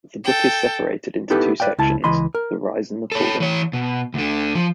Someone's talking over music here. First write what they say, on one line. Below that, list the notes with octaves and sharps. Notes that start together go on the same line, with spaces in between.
The book is separated into two sections: the rise and the fall.
A4 G5
B3 D#4 E4 G4 A4 B4
B4 D5 F5 G5
C#2 E4 A5
C#2 E3 D#5 B5 C6
A#4
A4 C#5
E3 C#5
B2
D2 D3
F3